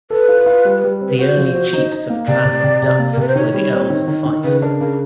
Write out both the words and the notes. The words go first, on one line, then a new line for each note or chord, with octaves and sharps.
The early chiefs of Clan MacDuff were the Earls of Fife.
A4 B4
F4
F4
G3
G3
C4
B4
F#4 C5
F3
F#4
D#4
D#4
A#3
C3 D5
C3
C3
C3
A#3
A#4
C3 B4
C5
D#3 C#5
G3
C4
D#3
D#3
D#3
C#3 B4
D4 A#4
C#3 A#4